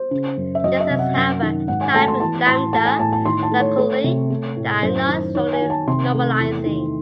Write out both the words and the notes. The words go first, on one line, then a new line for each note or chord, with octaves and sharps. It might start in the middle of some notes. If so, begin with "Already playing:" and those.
There exist, however, typed lambda calculi that are not strongly normalizing.
Already playing: C5
C#3
F#2
E5
F#3 D#5
E5
C3
F#5
F#2
D#3
G#2 F#5
G#5
A3 A5
C6
E3 A5
A2 C6
A3 A5
G#5
A2 A5
A5
D#3 C6
A5
A3
C#5
A3
C3
A3
A2
F#2 C5
D#3
D#3 C#5
G#5
D#3
A5
C3 C6
A3
E2
D#3